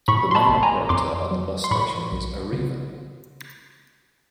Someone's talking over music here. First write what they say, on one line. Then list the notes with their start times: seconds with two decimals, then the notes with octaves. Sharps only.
The main operator at the bus station is Arriva.
0.08 A2 B5 C#6
0.31 C6
0.35 A5 B5
0.49 A1
0.63 G#5 A#5
0.89 F2 C6 D6
1.31 F#3
1.64 C6
1.71 A2 B5 C#6
2.12 B1
2.53 C#3